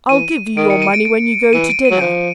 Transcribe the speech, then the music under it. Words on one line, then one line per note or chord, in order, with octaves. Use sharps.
I'll give you your money when you go to dinner.
E3 D#7
D#3 D7
C#7
D#7
D7
D7
E3 D#7
D7
D#7
F#3
F3 D7